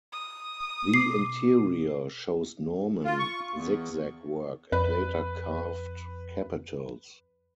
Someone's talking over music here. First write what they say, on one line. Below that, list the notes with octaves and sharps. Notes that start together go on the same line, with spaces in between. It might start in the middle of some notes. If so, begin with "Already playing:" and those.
The interior shows Norman zig-zag work and later carved capitals.
D#6
B2 D6 C7
F4
C#6
E2
F2 B4